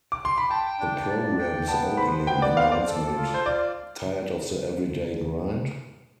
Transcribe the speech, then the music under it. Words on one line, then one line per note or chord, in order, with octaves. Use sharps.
The program's opening announcement-Tired of the everyday grind?
D6
C6
B5
G5 A5
D4
D5
G5
B3 A5
C5 B5
B3 G5
D5
C5 F5
D5
A4
F4
C5
F4 D5